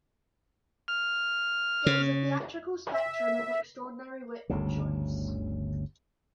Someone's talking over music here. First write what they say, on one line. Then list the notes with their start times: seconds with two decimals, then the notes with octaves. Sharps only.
It was a theatrical spectrum of extraordinary width and choice.
0.88 F6
1.86 C#3
2.94 E5
4.50 G1 D2 C#3